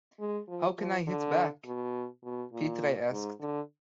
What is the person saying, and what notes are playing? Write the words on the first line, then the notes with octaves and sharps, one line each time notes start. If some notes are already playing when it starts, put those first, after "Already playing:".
'How can I hit back?' Pitre asked.
G#3
F3
F3
D3
B2
B2
A#2
G#2
D3